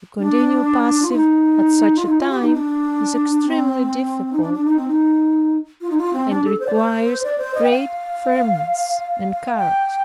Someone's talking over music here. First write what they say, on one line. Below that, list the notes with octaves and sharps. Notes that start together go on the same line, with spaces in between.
To continue passive at such a time is extremely difficult, and requires great firmness and courage.
D4
F4
D#4
F4
D#4
F4
G4
D#4
D4
C4
D#4
D4
D4
D#4
C4
D#4
F4
D#4
F4
C4
D4
A4
C5
D5
C5
D5
C5
D#5
G5
F5
G5